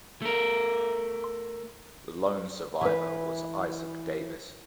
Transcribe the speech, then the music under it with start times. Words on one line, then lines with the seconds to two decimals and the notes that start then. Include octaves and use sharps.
The lone survivor was Isaac Davis.
0.22 A3 A#4
2.81 E3 B4